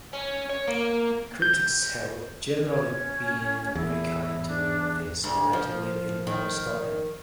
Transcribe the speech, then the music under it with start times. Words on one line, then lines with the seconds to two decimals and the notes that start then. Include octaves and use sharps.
Critics have generally been very kind to this relatively little-known story.
0.13 C#4
0.50 C#5
0.68 A#3
1.42 G6
2.64 C#4
3.75 E2 E4
4.47 D4
5.24 D2
5.53 F3
6.27 D#3